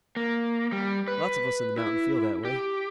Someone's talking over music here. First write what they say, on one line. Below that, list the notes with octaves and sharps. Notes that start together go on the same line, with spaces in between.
Lots of us in the mountain feel that way.
A#3
G3
B4
E4
G4